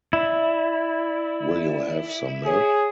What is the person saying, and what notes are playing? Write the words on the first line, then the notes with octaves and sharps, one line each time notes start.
Will you have some milk?
E4 D5
G#4 C#5